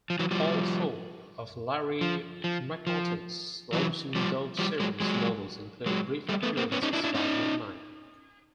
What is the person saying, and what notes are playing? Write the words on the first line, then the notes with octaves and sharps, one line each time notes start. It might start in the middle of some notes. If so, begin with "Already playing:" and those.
All four of Larry McMurtry's Lonesome Dove series novels include brief appearances by Goodnight.
F3
E3 F#3
F3 G3
F3
F3
F3
E3 F#3
F3 G3
F3 G3
F#3 G#3
F#3 G#3
F#3 G#3
G3 A3
A3 B3
A#3 C4
B3 C#4
C#4 D#4
D4 E4
D4 E4
C#4 D#4